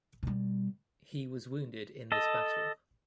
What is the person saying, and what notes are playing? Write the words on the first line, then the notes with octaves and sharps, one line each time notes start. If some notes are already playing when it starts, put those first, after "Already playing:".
He was wounded in this battle.
B2 G3
A4 D#5